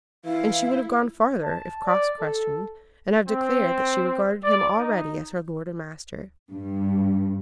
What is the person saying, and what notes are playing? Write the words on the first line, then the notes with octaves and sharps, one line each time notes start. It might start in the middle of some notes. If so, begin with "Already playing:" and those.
And she would have gone farther if cross-questioned, and have declared that she regarded him already as her lord and master.
E3 E4 F5
A5
D5
A4
C4
D5
D#4
G2